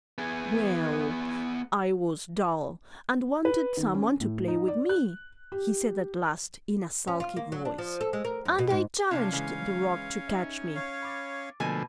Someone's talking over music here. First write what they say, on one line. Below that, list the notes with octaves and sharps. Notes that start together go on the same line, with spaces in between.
'Well, I was dull, and wanted someone to play with me,' he said at last, in sulky voice, 'and I challenged the rock to catch me.
B3 G#4
B4
D#3
C#4
A2
D#4
D5
F#6
G4
C#4
F4
A#3
F#3
D4
F3
A4
G#3
A#4
F#2
B2
G#2
C3 F3 C#4 D4 F5
C#3 E3 G#3
D#4 E5
C#5 F5
B5 D6 A6
B2 D3 F3 A3 A#3 B4 G#5